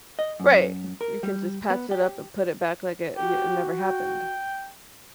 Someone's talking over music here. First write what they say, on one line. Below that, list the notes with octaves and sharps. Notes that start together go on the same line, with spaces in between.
Right. You can just patch it up and put it back like it y it never happened
D#5
F#2
A#4
G3
B3
G4
F#4 G4
G5